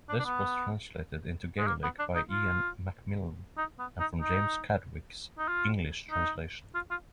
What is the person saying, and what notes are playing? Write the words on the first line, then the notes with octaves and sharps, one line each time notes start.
This was translated into Gaelic by Iain MacMilan from James Chadwick's English translation.
D4
D4
B3
G#3
A#3
B3
D4
D#4
F4
D#4
B3
D#4
D#4
D#4
F4
D#4
F4
F4